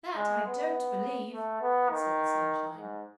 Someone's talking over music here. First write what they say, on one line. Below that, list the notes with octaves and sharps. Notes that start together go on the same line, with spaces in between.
"That I don't believe," said the Sunshine.
G#3
B3
A3
B3
D#3
G#2